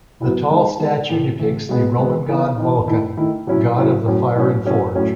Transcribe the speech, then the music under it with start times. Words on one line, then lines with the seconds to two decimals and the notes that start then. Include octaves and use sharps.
The tall statue depicts the Roman god Vulcan, god of the fire and forge.
0.21 F#3 B3 E4
0.50 D#3 G#3 D#4
0.80 D#3 G#3 D#4
1.09 A2 E3 A3
1.39 A2 E3 A3
1.69 B2 G#3 B3
1.99 B2 G#3 B3
2.28 E3 B3 D#4
2.57 E3 B3 D#4
2.87 D#3 A3 E4
3.17 D#3 A3 E4
3.47 A2 F#3 C#4 E4
3.76 A2 F#3 C#4 E4
4.06 A2 F#3 C#4
4.35 A2 F#3 C#4
4.65 A2 F#3 A3 C#4
4.95 A2 F#3 A3 C#4